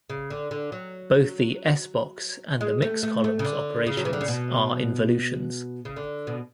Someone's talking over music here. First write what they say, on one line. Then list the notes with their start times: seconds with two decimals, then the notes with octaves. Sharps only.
Both the S-box and the mix columns operations are involutions.
0.10 C#3
0.30 D3
0.51 D3
0.72 F#3
2.61 G#3
2.82 A3
3.03 A3
3.24 A3
3.39 C#3
3.45 D3
3.86 C#3
3.97 F#3
4.05 E3
4.13 D3
4.21 C#3
4.28 B2
5.85 C#3
5.96 D3
6.27 B2